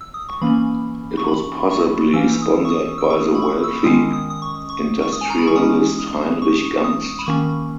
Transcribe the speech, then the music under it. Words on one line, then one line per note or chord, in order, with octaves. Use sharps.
It was possibly sponsored by the wealthy industrialist Heinrich Gamst.
E6
D#6
C#6
E3 A#3 C#4 B5
C#6
B5
C#6
E3 A#3 C#4 E6
D#6
C#6
D#6
E6
C#6
D#6
B5
C#6
E6
D#3 G#3 C#4 D#6
D#6
D#6
C#6
C#6
C#6
D#6
G#5
A#5
B5
C#6
E3 G#3 C#4 D#6
D#6
C#6
D#6
B5
D#3 A#3 C#4 C#6